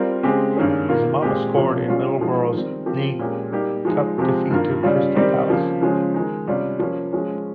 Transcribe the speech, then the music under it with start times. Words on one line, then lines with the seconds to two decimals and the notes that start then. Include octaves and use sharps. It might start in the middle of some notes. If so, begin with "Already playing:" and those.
Zemmama scored in Middlesbrough's League Cup defeat to Crystal Palace.
Already playing: G3 C4 F4 A#4
0.23 C#3 G#3 C4 G4
0.56 G2 D#3 A#3 C#4 G#4
0.89 D#3 A#3 F4 A#4
1.22 A#2 G#3 C4 G4
1.55 C3 F3 A#3 C#4 F4
1.88 G3 C#4 F4 G#4
2.21 F3 G#3 D#4 G#4
2.53 D#3 G3 C4
2.86 F3 C4 G4 A#4
3.19 A#2 G#3 C#4 G4 A#4
3.51 G3 A#3 D#4 G4
3.85 F3 G#3 D#4
4.18 C3 F3 G#3 C4 G4
4.50 G2 D#3 A#3 F4 A#4
4.83 C#3 G3 C#4 F4
5.15 D#3 G3 C4 D#4 G4
5.49 C#3 F3 A#3
5.81 C#3 F3 G#3 C#4
6.14 D#3 G#3 D#4
6.47 C3 G3 C#4 F4
6.79 F3 A#3 C#4
7.13 F3 G#3 C#4